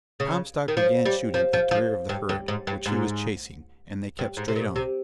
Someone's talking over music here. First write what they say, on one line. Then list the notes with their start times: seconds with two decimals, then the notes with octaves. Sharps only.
Comstock began shooting at the rear of the herd, which he was chasing, and they kept straight on.
0.20 C#3
0.68 D#3
0.77 F3
1.05 G3
1.34 F3
1.53 F3
1.71 F3
2.09 G2
2.29 G2
2.48 G#2
2.67 G2
2.86 G#2
4.19 G2
4.37 G#2
4.48 C3
4.56 A#2
4.76 C3